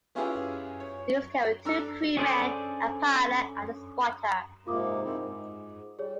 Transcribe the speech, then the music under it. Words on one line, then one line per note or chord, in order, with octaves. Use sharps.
These carried two crewmen: a pilot and a spotter.
B3 C#4 E4 F4 G4 G#4
C#5
D4 A4 A#5 E6
C#4 D4 G#4 A4 C5 D5
G#2 C3 A#3 F4 D6 D#6
C4 D#4 E4
G#2
G3 G#4 C#5